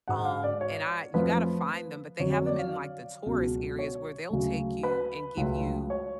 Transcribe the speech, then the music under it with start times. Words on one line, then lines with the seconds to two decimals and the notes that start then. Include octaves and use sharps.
um and I you gotta find them, but they have 'em in, like, the tourist areas, where they'll take you, and give you
0.08 G#2 G#3 F#5
0.25 F5
0.43 D5
0.61 C#5
1.14 F2 F3 A3 B4
2.20 F2 D3 F#3 C#5
2.33 C#5
2.46 D5
2.59 F5
3.26 C#2 B2 F#3
3.79 C#5
4.30 D2 C#3 F#3 A3
4.83 B4
5.37 C#2 C#3 F#3 A3
5.90 C#5